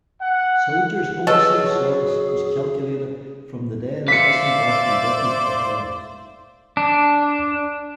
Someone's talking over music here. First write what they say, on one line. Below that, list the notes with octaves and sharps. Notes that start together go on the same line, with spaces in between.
Soldiers' Overseas Service was calculated from the day they disembarked in Britain or France.
F#5
F#3 F#4 G#4 A4 B4 D#5
C5 D5 E5 F5 B6 C#7
D4